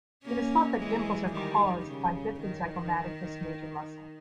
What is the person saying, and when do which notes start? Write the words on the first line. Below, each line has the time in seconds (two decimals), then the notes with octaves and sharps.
It is thought that dimples are caused by bifid zygomaticus major muscle.
0.24 A#3 C#4
0.79 E3 G#3
1.32 D#3 G3
1.87 C#3
2.41 D#3